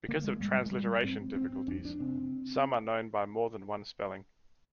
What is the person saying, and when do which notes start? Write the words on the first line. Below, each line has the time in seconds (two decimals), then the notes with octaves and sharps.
Because of transliteration difficulties, some are known by more than one spelling.
0.08 D3 A#3
0.24 G#3
0.40 G#2 G3
0.66 G#3
0.72 G3
1.04 G#2 C4
1.36 C4
1.68 F2 D4
1.85 D4
1.99 C3 C4